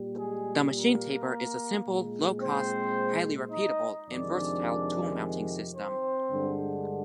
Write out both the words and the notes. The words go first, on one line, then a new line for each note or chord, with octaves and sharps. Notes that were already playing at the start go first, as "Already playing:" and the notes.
The machine taper is a simple, low-cost, highly repeatable, and versatile tool mounting system.
Already playing: A#2 G3
G#3 G#4
A#3 A#4
A#2 G#3
C4 C5
D#4 D#5
F2 C3 D#3 G#3 D4 D5
C4 C5
G2 D3 G#3